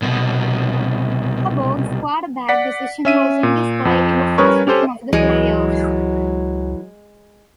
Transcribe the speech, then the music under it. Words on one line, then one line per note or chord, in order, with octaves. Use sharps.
Harbaugh's quarterback decision was on display in the first game of the playoffs.
C2 B2
D5 F#5 B6
C#4 E5 D#7
A#2
F2 F3
G3 C#4 A#4 B4 C#5 C#6
C#4 G4 A4 C5
C#2 E3 F#3 G#3